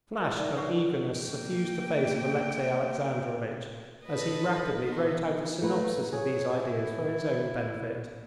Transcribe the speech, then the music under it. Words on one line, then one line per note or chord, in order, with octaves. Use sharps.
A flash of eagerness suffused the face of Alexey Alexandrovitch as he rapidly wrote out a synopsis of these ideas for his own benefit.
A#4
D#4 D5 E5
B4 C#5 E5 F#5 C#6
A#3 G5
A4 B4 D#5
B3 D#4
A3 A#3 B4
G#4 C#5
E4